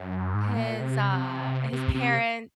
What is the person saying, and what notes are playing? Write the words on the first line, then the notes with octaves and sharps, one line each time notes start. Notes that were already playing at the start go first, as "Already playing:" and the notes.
His, uh his parent
Already playing: F#2
G#2
A#2
C3
C3
C3